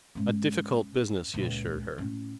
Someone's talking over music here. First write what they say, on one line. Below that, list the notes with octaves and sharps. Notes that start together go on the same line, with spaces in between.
"A difficult business," he assured her.
G#2 C#4
C#2 A#2
A2 C#4